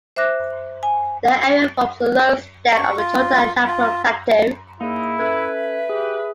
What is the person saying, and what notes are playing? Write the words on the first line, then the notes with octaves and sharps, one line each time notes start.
The area forms the lowest step of the Chota Nagpur Plateau.
C5 E5 D6 F#6 A#6
G#5
C#6
F4
F4
C#3 G#3 A#3 D#4 E4 G#4
C#4 A4 B4 E5 G#6
G4 G#4